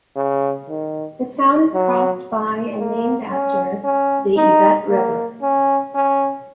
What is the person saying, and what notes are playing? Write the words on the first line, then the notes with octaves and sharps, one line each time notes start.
The town is crossed by and named after the Yvette River.
C#3
D#3
F#3
A#3
C#4
C#4
D#4
A#3
C#4
C#4